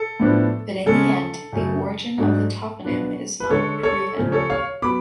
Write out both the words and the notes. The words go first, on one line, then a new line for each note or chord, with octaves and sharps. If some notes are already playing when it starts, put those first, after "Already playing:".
But in the end, the origin of the toponym is not proven.
Already playing: A4
A2 F3 B3 D4
C#3 G#3 C#4 A4
F#2 C#3 F#3 A3
G#2 F#3 A3 D4
B2 F#3 B3 D4
B4
D3 G#3 D4 A4 C#5
A4 C#5
C#3 F3 A3 C#4
A4 C#5
C#5 F5
F#3 B3 B5 D6